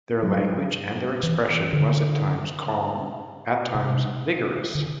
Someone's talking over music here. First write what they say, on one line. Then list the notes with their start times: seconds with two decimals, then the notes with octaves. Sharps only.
Their language and their expression was at times calm, at times vigorous.
0.23 F#3
1.23 E3
1.73 D3
3.75 C3
4.75 D3